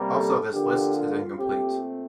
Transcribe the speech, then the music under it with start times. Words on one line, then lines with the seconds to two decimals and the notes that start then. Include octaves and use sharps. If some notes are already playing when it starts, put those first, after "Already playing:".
Also this list is incomplete.
Already playing: C3 G3 A#3
0.11 A4
0.53 D3 F3 A#3 G4
0.96 F4
1.38 A#2 A3 C4 G4